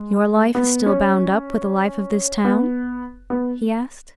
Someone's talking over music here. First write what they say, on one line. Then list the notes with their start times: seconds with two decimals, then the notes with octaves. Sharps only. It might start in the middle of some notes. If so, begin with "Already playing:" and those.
"Your life is still bound up with the life of this town?" he asked.
Already playing: G#3
0.55 B3
0.86 C#4
2.45 B3
3.30 B3